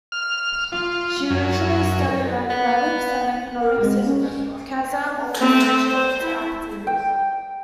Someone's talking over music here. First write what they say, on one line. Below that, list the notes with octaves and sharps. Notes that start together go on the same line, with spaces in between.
She originally studied mathematics and economics in Kazan before switching to acting.
F6
F4
F#2
B3
A#4
G#3
C#4
A3 C4
C5
E4
G5